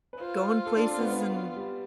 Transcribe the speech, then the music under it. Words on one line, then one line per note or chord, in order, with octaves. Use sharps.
going places and,
B4
F4 C5
A4
D4
C4
B3
B3
B3
G3